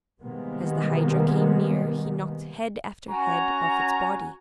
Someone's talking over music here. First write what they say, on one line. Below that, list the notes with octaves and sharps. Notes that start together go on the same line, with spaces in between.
As the Hydra came near he knocked head after head off its body.
C3 D#3 G3 G#3 A#3 B3
C#4 F#4 F#5 G#5 A#5 C#6